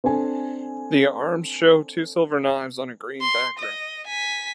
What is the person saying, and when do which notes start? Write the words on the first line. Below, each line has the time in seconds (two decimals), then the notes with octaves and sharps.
The arms show two silver knives on a green background.
0.04 C4 D4 A4 G#5
3.21 C6
3.59 D#5
4.07 G#5 B6